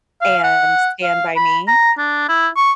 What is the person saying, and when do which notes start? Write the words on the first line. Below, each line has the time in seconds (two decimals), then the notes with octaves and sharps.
and Stand By Me.
0.22 F5
0.44 F#5
1.03 F5
1.36 B5
1.68 A#5
1.99 D4
2.29 E4
2.57 C#6